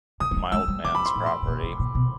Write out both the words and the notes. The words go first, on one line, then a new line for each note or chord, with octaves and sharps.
my old man's property
D3 D#6
A3
G#3
G#3 E6
G3
D3 D6
B5
C6
A2
C6
A2
A#2
A2
A#2
B2